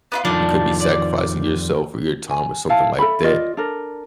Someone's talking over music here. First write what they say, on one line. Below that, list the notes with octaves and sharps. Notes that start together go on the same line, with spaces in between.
you could be sacrificing yourself or your time or something like that,
B3 E4 F4
F2 D#3 F3 D4
D5
G#5
E4 F5 A5
A4 E5 B5
F4 D5 D#5
D4 A4 A#4